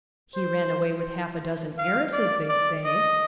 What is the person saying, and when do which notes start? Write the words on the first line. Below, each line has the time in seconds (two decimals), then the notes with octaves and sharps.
He ran away with half-a-dozen heiresses, they say.
0.35 C5
1.78 F5
2.13 D5
2.48 D5
2.85 D#5